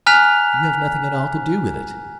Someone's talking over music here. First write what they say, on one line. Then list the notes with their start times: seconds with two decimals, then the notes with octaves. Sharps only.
"You have nothing at all to do with it."
0.06 G#5 A#5 F6 F#6 B6 F7